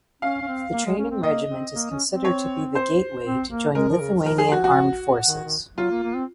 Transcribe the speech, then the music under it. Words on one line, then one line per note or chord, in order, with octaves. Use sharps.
The Training Regiment is considered to be the gateway to join Lithuanian Armed Forces.
C#4 F5
C#4
C4
A#3
G#3
C#4
C4
A#3 D#5
C4
A#3
C#4
C4
C#5
C5
C4
A#3
G#3 A#4
F3
C#3
F3
A#4
G#4
F#4
F#4
D#3
D#3
F#3 F4
A#3
A#3
C4